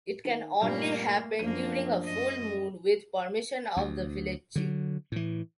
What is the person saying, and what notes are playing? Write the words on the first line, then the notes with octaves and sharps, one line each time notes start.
It can only happen during a full moon with permission of the village chief.
D#3
G2 A#2 G3 A3 A#3
F#2 F3 A#3 D4 D#7
F#2 D#5
D2
D3 F#3
A2 E3